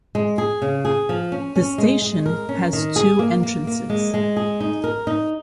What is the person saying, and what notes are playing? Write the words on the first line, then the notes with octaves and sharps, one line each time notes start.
The station has two entrances.
G#3
G#4
C#3
G#4
F3
C#4
C#4
G#3
G#3
A#4
C#4
D#3
G#4
A#3
A#3
A#3
G#3
G#3
G#4
D#4
A#4
D#4